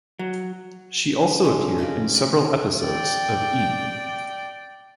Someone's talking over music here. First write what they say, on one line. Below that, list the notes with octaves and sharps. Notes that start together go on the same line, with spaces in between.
She also appeared in several episodes of E!
F#3
F3 G3 G#3 C#4
C#3 D#4 F#4 G4
D#4 A#4 B4 D5
D5 G5